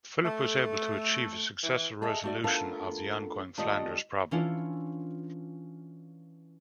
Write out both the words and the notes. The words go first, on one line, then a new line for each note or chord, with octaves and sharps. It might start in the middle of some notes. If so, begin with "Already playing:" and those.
Philip was able to achieve a successful resolution of the ongoing Flanders problem.
A3
E3
G#4 A4 D#5 E5
A3 F#4 D5
A3 B3 D4 F4 A4 A#4
D#3 A3 F4 G4 D5 D#5
E3 C#4 D4 E4 F4